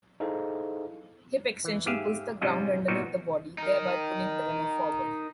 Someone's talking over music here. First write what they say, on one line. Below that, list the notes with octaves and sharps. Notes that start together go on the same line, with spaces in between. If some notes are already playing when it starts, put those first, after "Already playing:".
Hip extension pulls the ground underneath the body, thereby pulling the runner forward.
D#4 E4 G#4 A4 C5 F5
E3
G#2 G4 G#4 E5 F5
G#2 C3 G3 C#4 F4 D#5
A#2 F#3 G3 B3 D#4 F#4
D#4 A#4